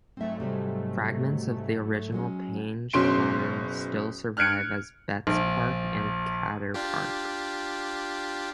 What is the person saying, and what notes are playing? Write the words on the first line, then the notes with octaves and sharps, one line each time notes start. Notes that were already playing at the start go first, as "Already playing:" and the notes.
Fragments of the original Penge Common still survive as Betts Park and Cator Park.
G#2 F#3 A3 C4 E5
C3 G3 G#3
F#3 G#3 C#4
F#1 B2 C#4 C6 D7
F6 F#6 G#6 C#7 D7
A#1
D4 F4 G4